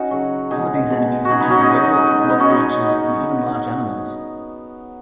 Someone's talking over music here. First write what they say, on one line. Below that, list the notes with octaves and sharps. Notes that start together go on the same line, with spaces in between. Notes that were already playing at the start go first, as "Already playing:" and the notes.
Some of these enemies include robots, blob creatures, and even large animals.
Already playing: C#4 D#4 F#4
C#3 F#3
B2 G#3 D#4 G#4
B2 G#3
F#4
C#3 F#3 D#4 G#4
B3 D#4
C#4 F#4
D#4 G#4
C#3 F#3 D#4 G#4
D#4 G#4
D#4 G#4
B2 G#3 B3
B3 D#4
C#4 F#4
B2 G#3 D#4 G#4